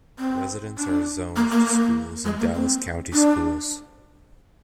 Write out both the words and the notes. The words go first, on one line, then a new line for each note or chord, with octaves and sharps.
Residents are zoned to schools in Dallas County Schools.
C4
D4
A#3
A#3
A#3
G#3
A#3
C4
D4